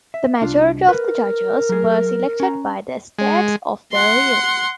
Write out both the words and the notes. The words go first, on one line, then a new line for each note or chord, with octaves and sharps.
The majority of the judges were selected by the Estates of the realm.
E5
C2 D4 F4
A#4 B4
F#3 G#4
C#4 A#5
G#3
F#5 C6